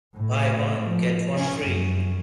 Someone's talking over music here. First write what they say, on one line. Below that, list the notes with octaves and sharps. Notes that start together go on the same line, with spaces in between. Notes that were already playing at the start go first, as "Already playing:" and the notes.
Buy one, get one free.
A2
F3
C#4
F#2